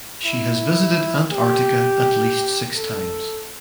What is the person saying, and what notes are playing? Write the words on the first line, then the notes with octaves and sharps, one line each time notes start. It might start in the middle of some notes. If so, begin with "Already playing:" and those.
She has visited Antarctica at least six times.
E4
G4
A4